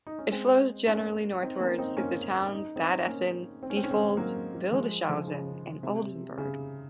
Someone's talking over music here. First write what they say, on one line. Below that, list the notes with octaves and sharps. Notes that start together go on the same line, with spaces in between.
It flows generally northwards through the towns Bad Essen, Diepholz, Wildeshausen and Oldenburg.
D#4
C#4
G#3 C4
A#3 C#4
C4 D#4
A#3 C#4
C4 D#4
A#3 C#4
D#4
C4 D#4
A#3 C#4
C4
C#4
C4
C#4
G#3 C4
F#3 A#3
F3 G#3
C#3 F3
C#3
C3
C#3